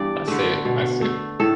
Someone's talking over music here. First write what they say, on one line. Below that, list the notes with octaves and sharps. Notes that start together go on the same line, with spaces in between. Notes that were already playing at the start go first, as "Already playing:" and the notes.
I see, I see.
Already playing: G2 E3 B3 D5
D3 A3 B4
B2
A3
A2 A4